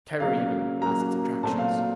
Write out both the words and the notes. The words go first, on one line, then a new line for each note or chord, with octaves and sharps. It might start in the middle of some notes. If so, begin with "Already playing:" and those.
Terror even has its attractions.
C#3 F#3 A#3 F5
C#3 F#3 A#3 A#5
A#2 F#3 A3 C4 A5
F5